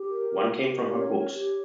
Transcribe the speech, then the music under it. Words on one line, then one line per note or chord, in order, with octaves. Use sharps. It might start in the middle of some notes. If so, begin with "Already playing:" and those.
One came from her books.
Already playing: G4
A#4
G4
G4
A#4
C#4 C#5
C#5
G4